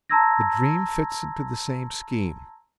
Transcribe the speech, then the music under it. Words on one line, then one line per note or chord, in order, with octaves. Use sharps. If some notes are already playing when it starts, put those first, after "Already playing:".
The dream fits into the same scheme.
A5 A#5 C6 E6 G#6 A#6